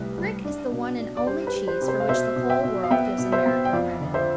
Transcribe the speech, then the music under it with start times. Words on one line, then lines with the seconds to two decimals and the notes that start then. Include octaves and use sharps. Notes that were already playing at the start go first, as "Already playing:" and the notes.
Brick is the one and only cheese for which the whole world gives America credit.
Already playing: C2 A2 G3 B4
0.17 C2
0.45 D4
0.72 B2
0.99 D4
1.17 D5
1.27 G3 C5
1.47 B4
1.54 G3
1.68 C5
1.81 C3
1.88 C5
2.00 F5
2.09 B2 C5 E5
2.36 B2
2.50 E5 G5
2.63 B2
2.84 F5
2.91 B3 E5 G5
3.18 B2
3.32 C5 E5
3.46 B3
3.65 G5
3.73 F2 D5 F5
4.00 D3
4.14 C5 E5